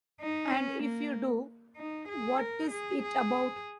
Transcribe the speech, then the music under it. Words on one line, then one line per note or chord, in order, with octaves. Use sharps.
And, if you do, what is it about?
D#4
C#4
A#3
D#4
G#4
A#4
G#4
G#4